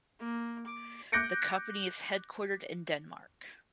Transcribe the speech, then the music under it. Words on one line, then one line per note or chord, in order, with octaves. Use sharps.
The company is headquartered in Denmark.
A#3
D6
D6 F#6 G6 A#6 C#7 D7